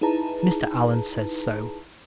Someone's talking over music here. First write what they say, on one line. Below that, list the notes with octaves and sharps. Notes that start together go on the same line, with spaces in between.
Mr. Allan says so.
D#4 E4 G#4 B4 A5 A#5